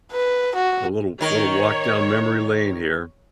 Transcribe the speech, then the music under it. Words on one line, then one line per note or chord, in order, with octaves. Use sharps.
a little little walk down memory lane here.
B4
F#4
D#3 A#4 C#5